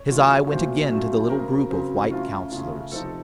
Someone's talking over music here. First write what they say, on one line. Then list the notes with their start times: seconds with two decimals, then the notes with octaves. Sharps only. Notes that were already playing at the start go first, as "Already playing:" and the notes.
His eye went again to the little group of White Councillors.
Already playing: C#5
0.09 D#3 F#3 A3 C#4 F4
0.49 A#2 F#3 A3 C#4 F4 C5
0.90 A#2 F#3 A3 C#4 F4
1.30 C#3 F#3 C4 A#4
1.70 C#3 F#3 C4
2.10 C#3 A3 C#4 F4
2.52 C#3 A3 C#4 F4
2.92 C3 F3 C4 D#4 A4